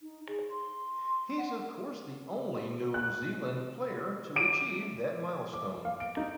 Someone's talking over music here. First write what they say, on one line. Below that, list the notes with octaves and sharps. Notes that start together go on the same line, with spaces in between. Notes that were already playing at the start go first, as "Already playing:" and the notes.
He's of course, the only New Zealand player to achieve that milestone.
D#4
G#4
C6
F#5
F#6
D6 D7 D#7
D6
F5
D7
D#4